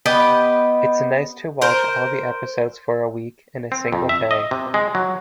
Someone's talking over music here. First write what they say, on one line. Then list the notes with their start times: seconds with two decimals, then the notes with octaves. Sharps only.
It's nice to watch all the episodes for a week in a single day.
0.06 B3 G4 B4 D#5
1.61 A#4 C5
3.72 C4
3.92 F2
4.09 E5
4.31 D#5
4.51 C3
4.74 G#3
4.95 F#3